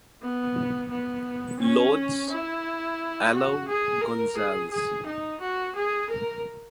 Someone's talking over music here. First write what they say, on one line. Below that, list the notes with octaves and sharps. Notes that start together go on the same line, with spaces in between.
Lourdes "Alou" Gonzales.
B3
B3
C#4
E4
F#4
G#4
A#4
G#4
G#4
D#4
F#4
G#4
A#4